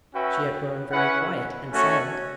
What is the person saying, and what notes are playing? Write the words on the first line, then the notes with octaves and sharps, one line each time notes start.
She had grown very quiet and silent.
C#4 F#4 B4 E5 G5
C#4 E4 B4 F#5
A3 C#4 F#4 C#5